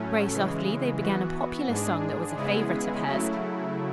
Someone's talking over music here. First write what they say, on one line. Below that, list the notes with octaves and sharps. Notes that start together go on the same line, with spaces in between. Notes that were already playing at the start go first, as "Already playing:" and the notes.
Very softly they began a popular song that was a favorite of hers.
Already playing: A2 F#3 A3 C#4
C#3 E3 G#3
E3 B3 F#4
G#2 G#3 D4 G#4
C#3 G#3 B3 E4 G#4
C#3 F#3 A3 E4